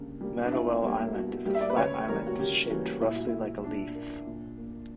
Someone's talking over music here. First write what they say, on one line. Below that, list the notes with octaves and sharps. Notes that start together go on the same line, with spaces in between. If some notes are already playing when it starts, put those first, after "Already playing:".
Manoel Island is a flat island shaped roughly like a leaf.
Already playing: C#3 G3 A#3 D4
G3 A#3
D4
B2 E4
G3 A#3
B2 F#4
G3 A#3 G4
E5
D5
B4
C#3 C#5
E3 G3 A#3 A#4
F#4
C#3 G4
E3 G3 A#3 F#4
A#2 E4
F#4
A#3 E4
A#2 D4
A#3
A#2
A#3